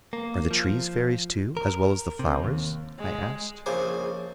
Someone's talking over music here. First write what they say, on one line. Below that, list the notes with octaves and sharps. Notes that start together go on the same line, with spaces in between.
"Are the trees fairies too, as well as the flowers?" I asked.
A#3
F3
A#4
C3
D#2
G#3
A#1 C#3 C5 G#5 D6